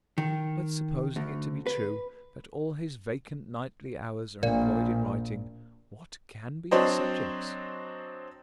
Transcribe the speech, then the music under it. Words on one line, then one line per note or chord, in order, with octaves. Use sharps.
But supposing it to be true that all his vacant nightly hours are employed in writing, what can be his subjects?
D#3
D2
B4
A#1 A#2
F#3 C4 D4 C5 C#5 D#5